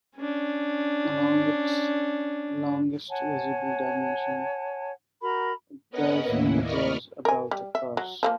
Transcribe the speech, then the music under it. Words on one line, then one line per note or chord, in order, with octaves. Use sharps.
Along its longest visible dimension, it thus measures about across.
C#4 D4
C#5 F#5 G#5 A5
F#4 A#4 A#5 B5
B3 C#4 A#4 B4 D#5 F#5
D#2 A2 A#3 E4
A#4 D5 D#5 B5 C#6 F6
A#4 G#5
G3
E5
F#3
F3 A3 A#3